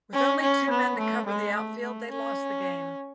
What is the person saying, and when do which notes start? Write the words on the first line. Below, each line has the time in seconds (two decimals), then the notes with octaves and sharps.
With only two men to cover the outfield, they lost the game.
0.14 C#4
0.42 C#4
0.70 B3
0.98 A3
1.26 G#3
1.54 A3
1.82 A3
2.10 C#4